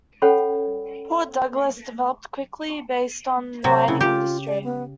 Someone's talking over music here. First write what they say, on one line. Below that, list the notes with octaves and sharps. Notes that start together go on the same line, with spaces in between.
Port Douglas developed quickly based on the mining industry.
C#4 A4 C#5 F#5 G5 B5
C3 F#3 C5
C#3 E4
F4 G4
D5
B3